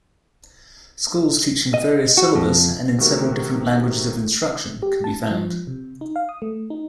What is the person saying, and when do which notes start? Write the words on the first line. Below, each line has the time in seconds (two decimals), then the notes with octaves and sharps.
Schools teaching various syllabus and in several different languages of instruction can be found.
1.74 D#5
2.17 F#4
2.35 F2
2.98 C3 D#3 A3 F#4 A#4
4.82 G4
5.04 A5
5.31 F3
5.67 C3
6.01 D#4
6.16 F5
6.29 D#6
6.42 A3
6.70 D#4